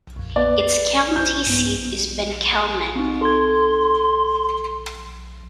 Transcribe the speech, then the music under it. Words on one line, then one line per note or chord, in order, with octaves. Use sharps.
Its county seat is Benkelman.
A#1 F2
B3 D5
C7
E4 C5 G6
G2 B3
C4 D#4
A4 C6 G#6